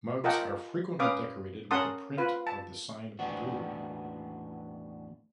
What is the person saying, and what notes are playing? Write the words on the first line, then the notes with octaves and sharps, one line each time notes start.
Mugs are frequently decorated with a print of the sign of the brewery.
F4 A#4 D#5 F#5 G5 A5
C#4 B4 F5 D6 D#6
C#4 A#4 F#5 A5 C6 D#6
F4 B4 F5
A5
E2 A2 B3 D4 F#4